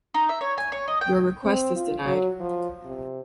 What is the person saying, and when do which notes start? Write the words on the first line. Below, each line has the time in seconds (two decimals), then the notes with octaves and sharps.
Your request is denied.
0.14 D#4
0.29 E5
0.41 C#5
0.58 G#5
0.72 C#5
0.88 D#5
1.01 G5
1.44 C4
1.76 F4
2.07 F#3
2.40 F3
2.85 C3